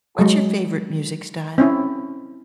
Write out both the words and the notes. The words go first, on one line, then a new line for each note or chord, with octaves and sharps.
What's your favorite music style?
F#3 G#3
C4 C#4 E4